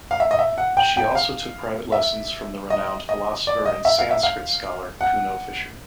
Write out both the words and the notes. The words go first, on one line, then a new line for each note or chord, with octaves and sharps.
She also took private lessons from the renowned philosopher and Sanscrit scholar Kuno Fischer.
F5
E5
D#5
E5
F#5
G5
G5
F5
E5
D#5
D#5
D5
D#5
E5
F5
E5
F5
F#5